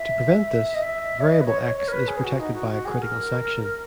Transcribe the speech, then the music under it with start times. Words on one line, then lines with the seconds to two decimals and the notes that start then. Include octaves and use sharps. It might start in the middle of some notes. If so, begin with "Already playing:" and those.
To prevent this, variable 'x' is protected by a critical section.
Already playing: E5
0.67 E5
0.74 D#5
0.82 E5
1.21 C#5
1.30 D#5
1.41 B4
1.46 C#5
1.62 C#5
1.76 C#5
1.88 A#4
1.92 B4
2.08 G#4
2.24 F#4
2.40 D#4
2.55 F#4
2.71 F#4
2.85 G#4
3.02 A#4